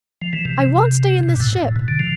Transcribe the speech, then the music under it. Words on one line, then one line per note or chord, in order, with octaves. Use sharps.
I won't stay in this ship!
F3
E3
C3
C3
B2
G2
A2
A2
B2
D3
F3